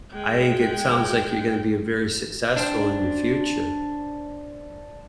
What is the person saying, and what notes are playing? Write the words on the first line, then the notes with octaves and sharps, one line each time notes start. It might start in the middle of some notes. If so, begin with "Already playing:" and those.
I think it sounds like you're gonna be very successful in your future.
G#3 G5
D4 C5 G5